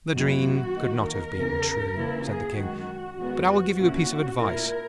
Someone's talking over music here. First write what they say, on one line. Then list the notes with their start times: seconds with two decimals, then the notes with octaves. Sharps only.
'The dream could not have been true,' said the King. 'But I will give you a piece of advice.
0.13 F#2 D#3 A#3 E4 F#4
0.75 D#3 A#3 D#4
1.05 A#4
1.35 E2 C#3 E3
1.97 C#3 E3 A#3 E4
2.26 G#4
2.57 F#2 D#3 G#3 F#4
3.18 E2 D#3 G#3 B3 F#4
3.48 F#4
3.78 A#2 A#3 C#4 E4 F#4
4.39 A#2 A#3 E4 A#4